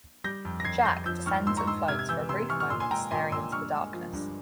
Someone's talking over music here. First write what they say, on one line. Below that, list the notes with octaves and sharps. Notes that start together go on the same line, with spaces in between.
Jacques descends and floats for a brief moment staring into the darkness.
G3 G6 A#6
F2
A#6
F2 G#6 C7
C7
F2 G6 A#6
F3 E6 G6
G#2 C#6 F6
G#2 C6 E6
A#5 C#6
G#2 C6 E6
C3 F6 G#6
G#6
E3 E6 G6
C3 C6 E6
E3 C#6 F6
C#6 F6
A#2 C6 E6
G#5 C6
G#3 G5 A#5
A#2 G#5 C6
A#2 C6 E6
G2 C#6 F6
G#3
F3
G2